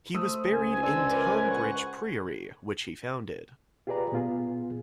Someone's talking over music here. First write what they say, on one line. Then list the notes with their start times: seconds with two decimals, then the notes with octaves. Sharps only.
He was buried in Tonbridge Priory, which he founded.
0.14 A3 C5 D#6 E6
0.46 C#2 G#5
0.83 D4 E6
1.11 A#4 B4 D5
1.52 F#5 C#6
3.87 F4 G4 G#4 B4 D5 A#5
4.12 A#2 B3 F4 G#4